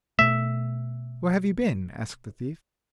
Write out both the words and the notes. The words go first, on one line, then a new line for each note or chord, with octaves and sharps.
'Where have you been?' asked the thief.
B2 A3 E5